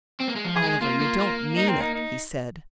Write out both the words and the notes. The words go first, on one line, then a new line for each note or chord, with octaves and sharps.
"Oliver, you don't mean it," he said.
C4
A#3
G#3
F3
G#4
G#3
G#4
A#3 F4
A#3
A#3
D#4
C4
D#4
D#4